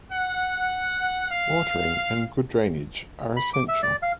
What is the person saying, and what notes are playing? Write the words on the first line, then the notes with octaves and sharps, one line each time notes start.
Watering and good drainage are essential.
F#5
F5
B5
D6
E5
D5
F5